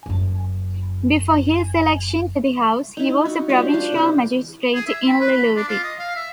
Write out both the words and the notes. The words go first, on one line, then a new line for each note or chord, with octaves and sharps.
Before his election to the House, he was a provincial magistrate in Lillooet.
F#1 F#2
D#4 E4
F#4
G3 F4 F#4 C5
D4 F4
C3 E4
G#4
E5
B5
B4
B5
D4
F4
D#5
F5
E5